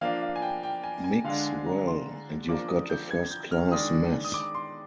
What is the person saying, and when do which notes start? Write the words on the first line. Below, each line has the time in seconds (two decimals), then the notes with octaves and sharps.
Mix well, and you've got a first-class mess.
0.01 F3 A#3 D4 F5
0.23 F5
0.36 G#5
0.42 G5
0.63 G5
0.84 G#5
1.04 G#5
1.24 D3 G#3 D4 F5
1.46 G#5
1.66 A#5
1.87 C6
2.48 F3 A#3 D4 D6
2.68 D#6
2.90 G6
3.11 G#6
3.31 G6
3.51 F6
3.72 D#3 G#3 D4 D#6
4.24 D#6
4.34 D6
4.55 C6